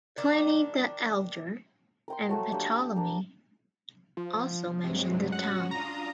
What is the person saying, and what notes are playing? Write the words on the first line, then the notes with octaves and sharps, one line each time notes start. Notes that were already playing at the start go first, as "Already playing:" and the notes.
Pliny the Elder and Ptolemy also mention the town.
D#3 D4
A#4 G5 C6
F#3 A3 F#4
A#3 D4 G4
D4 A#4
F3
G2 C3 F#3 G#3
C#4 F#4 F#5
D4 F4 A#5 D#6